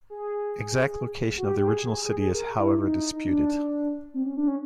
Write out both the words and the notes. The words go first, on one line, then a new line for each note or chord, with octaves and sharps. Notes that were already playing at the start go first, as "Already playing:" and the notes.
Exact location of the original city is however disputed.
G#4
F#4
G4
G4
G#4
G#4
G#4
G#4
A#4
E4
D#4
D4
C4
C#4
D4
C#4